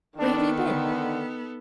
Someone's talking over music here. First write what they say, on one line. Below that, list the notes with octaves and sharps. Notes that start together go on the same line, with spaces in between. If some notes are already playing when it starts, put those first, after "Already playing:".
Where have you been?'
D#3 B3 D4 A4
D3